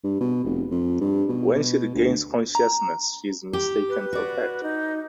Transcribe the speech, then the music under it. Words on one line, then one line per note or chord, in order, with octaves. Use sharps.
When she regains consciousness, she is mistaken for Pat.
G2
B2
F1
F2
G2
B2
D2
A#5
G4
B4
F#4 D5
D#4